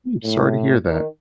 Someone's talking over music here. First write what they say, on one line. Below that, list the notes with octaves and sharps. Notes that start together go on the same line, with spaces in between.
I'm sorry to hear that.
A2
D#3